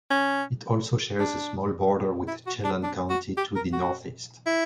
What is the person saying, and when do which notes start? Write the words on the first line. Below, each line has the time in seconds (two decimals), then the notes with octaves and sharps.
It also shares a small border with Chelan County to the northeast.
0.10 C#4
1.20 D4
2.28 E4
2.47 F#4
2.64 D4
2.83 D4
3.10 F#4
3.37 G4
3.55 A#4
3.73 F#4
4.46 E4